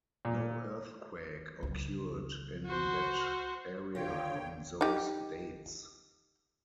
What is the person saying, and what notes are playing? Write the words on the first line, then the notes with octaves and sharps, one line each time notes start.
No earthquake occurred in that area on those dates.
A#2
C#2 F#3
F#4 C5
D3 F4 C#5 G5
D#4 G4